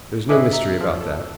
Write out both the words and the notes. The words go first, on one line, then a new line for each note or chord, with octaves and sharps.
There is no mystery about that.
E4 B4 D#5 E5 G#5 D6
E5 A#5
F3
A4